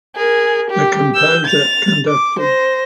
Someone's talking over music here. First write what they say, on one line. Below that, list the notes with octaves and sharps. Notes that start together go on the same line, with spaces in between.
The composer conducted.
G#4 A#4
G4
E6 G6
A6 F7
D6
C5 A#6